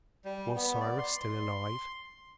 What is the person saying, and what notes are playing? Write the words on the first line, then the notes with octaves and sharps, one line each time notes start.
Was Cyrus still alive?
G3
B3
D5
C6
C6